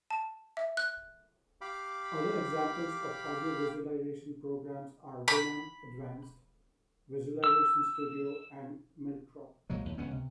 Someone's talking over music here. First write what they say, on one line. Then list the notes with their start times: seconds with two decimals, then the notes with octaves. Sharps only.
Other examples of audio visualization programs are Winamp Advanced Visualization Studio and MilkDrop.
0.10 A5
0.57 E5
0.77 F#6
1.61 G4 F5 B5 D6
5.28 B5
7.44 E6
9.70 C2 A#2 F#3 G#3
9.85 D#2
9.98 C#2 B3 C#4
10.11 C3